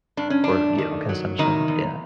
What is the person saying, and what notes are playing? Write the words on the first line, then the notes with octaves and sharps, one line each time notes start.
or, you know, consumption, yeah.
G2 D4
C#4
A3 D4
D#3
F#3
E2 D#3 D#4
E2